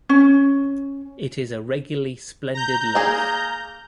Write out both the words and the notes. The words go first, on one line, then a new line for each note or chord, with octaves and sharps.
It is a regularly splendid loaf!
C#4
A#5 G6
A#3 G#4